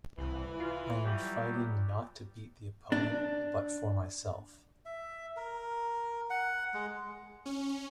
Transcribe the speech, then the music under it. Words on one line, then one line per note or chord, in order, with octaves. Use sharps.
I am fighting not to beat the opponent, but for myself.
C2 E3
F4
F#3 G3 G4
D4
E5
A#4
F#5
G#3
C#4